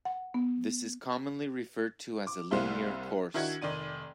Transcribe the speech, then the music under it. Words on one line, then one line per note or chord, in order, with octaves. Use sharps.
This is commonly referred to as a linear course.
F#5
B3
D6
C2 G3 A#3 C4 E4 C6
D#3 D4 E4 F#4 G#6
F1 D#3 D5 D#7